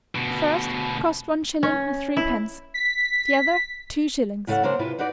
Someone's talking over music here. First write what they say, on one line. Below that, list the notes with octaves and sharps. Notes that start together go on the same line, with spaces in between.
The first to cost one shilling and threepence, the other two shillings.
D2 B2
C#4
E4
B6
A2 C#3 A3 E5 F#5
C#3 A#3 D4 C5 C#5
C3 E4 F4 B4
D#4 F#4 B4 D5